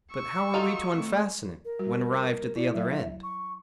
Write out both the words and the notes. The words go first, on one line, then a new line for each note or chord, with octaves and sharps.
But how were we to unfasten it, when arrived at the other end?
C#6 E6
D#4 F4 F#4 A4
A3 C4
A#4
G3 F#4
E4 D5
F#3 D5 E5 F5
C#6